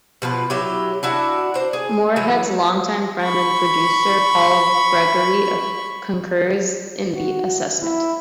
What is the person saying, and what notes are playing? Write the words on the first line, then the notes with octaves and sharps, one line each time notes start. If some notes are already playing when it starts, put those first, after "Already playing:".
Moorehead's longtime friend and producer Paul Gregory concurs in the assessment.
B2 F3 F4 B4
F#3 E4 G4
D4 E4 F#4 F#5
D4 C5
G#4
E3 F#3
B5 C#6
F#4
E4